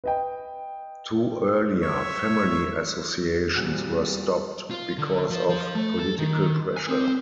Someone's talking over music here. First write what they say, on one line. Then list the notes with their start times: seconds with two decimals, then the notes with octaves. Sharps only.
Two earlier family associations were stopped because of political pressure.
0.04 B4 D#5 G5
1.82 C#5 E5
3.56 F2 A#2 F#3 G3
4.71 F4
4.98 D3
5.30 F3
5.49 F3
5.75 A3
5.99 A4
6.18 D#3
6.76 G#5
6.89 C4